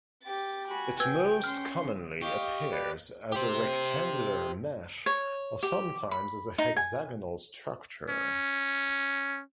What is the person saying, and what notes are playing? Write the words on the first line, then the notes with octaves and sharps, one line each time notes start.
It most commonly appears as a rectangular mesh or sometimes as a hexagonal structure.
G4 A6
F#4 G#5 B5
B4 G5 E6 G#6
C#4 C6 F6
G4 D#5 F5 C#6
B4 D5
G4 C5
C#5
G4
B5
D#4
G#5
C#4